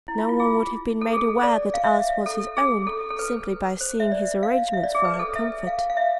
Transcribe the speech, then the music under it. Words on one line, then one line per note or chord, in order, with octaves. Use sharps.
No one would have been made aware that Alice was his own simply by seeing his arrangements for her comfort.
E4
F4
F4
G#4
A4
G#4
A4
D5
F5
E5
A4
G#4
A4
A4
B4
C5
E5
D5
F5
E5
D5
G#4
B4
A4
E5
F5
F5
E5